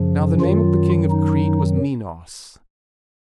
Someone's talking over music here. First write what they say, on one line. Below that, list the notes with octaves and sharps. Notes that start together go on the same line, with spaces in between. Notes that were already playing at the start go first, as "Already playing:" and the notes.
Now the name of the King of Crete was Minos.
Already playing: F#2 C#3 F3
F#2 D#3 F#3 F4
D#4